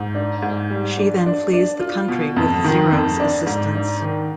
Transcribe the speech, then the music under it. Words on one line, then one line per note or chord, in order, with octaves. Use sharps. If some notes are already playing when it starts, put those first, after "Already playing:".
She then flees the country with Zero's assistance.
Already playing: G#2
D4
G#2
G3
D4
D4
D4
F4
B2
F2
D#3
F2
D4
G#2
D4
D#3